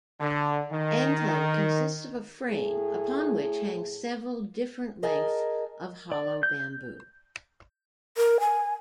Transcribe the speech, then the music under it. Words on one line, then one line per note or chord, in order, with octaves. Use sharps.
Angklung consists of a frame upon which hang several different lengths of hollow bamboo.
D3
D#3
A2 G#4
G#4 A#4 D#5 G#5 A5
D5
G6
A#4
G#5